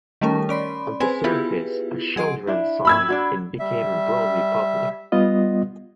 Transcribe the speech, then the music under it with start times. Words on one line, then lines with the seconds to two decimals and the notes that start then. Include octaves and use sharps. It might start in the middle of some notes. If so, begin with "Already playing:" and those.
On the surface a children's song, it became broadly popular.
0.21 D#3 G3 A3 C#4 A#4
0.49 C#4 D5 B5 C6
1.00 C4 G#4 B4 G#5
1.24 B3 E4 F4 G4 G#4 B4
2.16 F#3 G#4 D#5 C6 D7
2.47 D4 E4
2.85 B5 E6 G#6
3.08 D4 D#4 F#4
3.59 G3 E5
5.12 G3 B3 F4 D#5